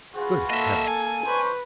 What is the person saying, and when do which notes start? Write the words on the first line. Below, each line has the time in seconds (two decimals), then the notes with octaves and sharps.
Good heavens!
0.15 F4 F#4 G#4 B4
0.50 A#3 A4 D#5 E5
0.87 G#5
1.26 D4 B4 C5 C#6